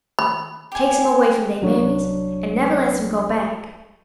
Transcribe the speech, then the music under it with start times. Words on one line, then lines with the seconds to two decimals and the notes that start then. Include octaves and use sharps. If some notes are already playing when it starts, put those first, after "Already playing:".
Takes 'em away from their mammies, an' never lets 'em go back.
0.19 B5
0.72 G4 G#5
1.62 C2 F#3 D4 C#5